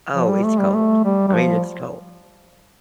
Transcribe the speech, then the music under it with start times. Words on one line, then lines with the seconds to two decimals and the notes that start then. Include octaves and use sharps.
Oh, it's cold. I mean, it's cold.
0.14 F3
0.29 G3
0.44 A3
0.59 G3
0.74 A3
1.04 G3
1.28 G3
1.34 F3